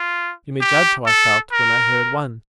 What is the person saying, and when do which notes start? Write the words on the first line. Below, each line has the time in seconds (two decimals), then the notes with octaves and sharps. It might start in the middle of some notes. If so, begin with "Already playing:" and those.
You may judge how I felt, when I heard one!
Already playing: F4
0.61 G4
1.07 A4
1.52 A#4